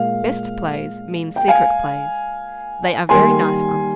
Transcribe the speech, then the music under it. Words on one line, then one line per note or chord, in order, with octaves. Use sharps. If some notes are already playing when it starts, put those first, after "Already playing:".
Best plays mean secret plays; they are very nice ones.
Already playing: A#2 G#3 F5
G5
F5 G#5
D#3 G3 A#3 G#5 C6